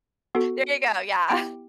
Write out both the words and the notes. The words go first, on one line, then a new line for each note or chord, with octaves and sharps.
There you go, yeah.
B3 F#4 A4
B3 E4 G4 G5